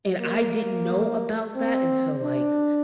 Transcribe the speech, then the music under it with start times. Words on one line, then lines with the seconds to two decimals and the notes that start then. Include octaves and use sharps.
And I didn't know about that until, like,
0.20 A#3
1.56 C4
2.24 D4